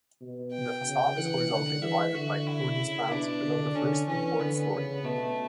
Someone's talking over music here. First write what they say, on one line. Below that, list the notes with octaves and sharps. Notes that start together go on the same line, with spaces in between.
The facade is horizontally divided by cornice bands below the first and fourth storey.
B2
G5
C#3
E3 F#5
D3
E3 E5
D3 F#4
E4
C#3
B2 D4
D3
D3 C#4
E3 C#4
D3 B3
C#3
B2 A3